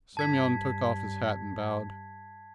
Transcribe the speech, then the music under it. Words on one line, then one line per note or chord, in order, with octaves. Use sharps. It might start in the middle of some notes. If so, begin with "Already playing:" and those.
Semyon took off his hat and bowed.
G2 A5 G#6 B6